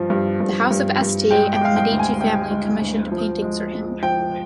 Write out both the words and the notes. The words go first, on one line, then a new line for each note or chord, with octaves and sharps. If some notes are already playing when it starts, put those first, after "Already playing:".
The House of Este and the Medici family commissioned paintings from him.
Already playing: G2 F3
G2
G2
G2
G2
G#3 G5
G5
G#3 F5
G5
D2
G#5
G#3 G5
G#3
D2
F3
G#3
G#3
F3 G5